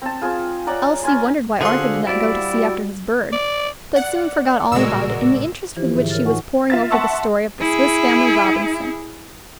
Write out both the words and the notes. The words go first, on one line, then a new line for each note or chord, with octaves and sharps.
Elsie wondered why Arthur did not go to see after his bird, but soon forgot all about it in the interest with which she was poring over the story of the "Swiss Family Robinson."
C4 A5
F4 G#4 C5
C#5 D5 F#5 A#5
C#4 G#5 C6
D3 F3 D4 F#4 G#4 A4 F#5 C6
G3 E4 F#4 D5
D5
D5 F#5
A1 A#2 C#3 G#3 A#3 F#4 A#4 E6
E3 F3 E4 F4 G4 C5
G#2 D3 D#3 G#4 E5
A#4 C#5 F6 A6
D#4 F4 F#5 G#5 C#6
F4 E5 A6
E5 F#5 A5 C6 C#6 E6
E4 G#4